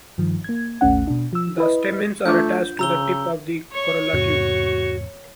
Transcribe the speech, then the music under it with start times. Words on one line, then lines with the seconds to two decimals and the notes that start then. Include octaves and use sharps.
The stamens are attached to the tip of the corolla tube.
0.18 G2 D#3 F3
0.44 A#3 G#6
0.81 A1 D#2 A3 C#4 F#5
1.07 B2 D4
1.33 F3 E6
1.58 E4 B4 D#5
2.26 A3 D4 F4 D6 G6
2.79 C#3 A#5 E6 G7
3.73 C#5 C#6
4.13 E2 G#2 C3 F#4